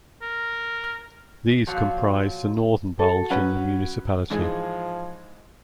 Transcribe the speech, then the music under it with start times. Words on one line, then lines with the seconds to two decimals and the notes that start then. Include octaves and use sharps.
These comprise the northern bulge in the municipality.
0.22 A#4
1.67 A#2 F3 F#3 F4
2.99 F#4 A4
3.30 F#3 C#4 B4 F#5
4.30 G#2 E3 F3 G#3